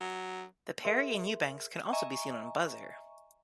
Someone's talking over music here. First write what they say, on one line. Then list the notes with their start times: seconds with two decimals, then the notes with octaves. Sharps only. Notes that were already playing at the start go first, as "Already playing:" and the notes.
The Perry and Eubanks can also be seen on Buzzr.
0.01 F#3
0.85 G#4 A#4 E5 C6
1.92 D#5 E5 G#5 A#5 C#6